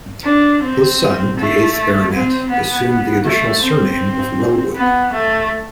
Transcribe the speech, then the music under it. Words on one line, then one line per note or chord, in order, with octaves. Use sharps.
His son, the eighth Baronet, assumed the additional surname of Wellwood.
D4
C4
A3
C4
B3
A3
C4
B3
A3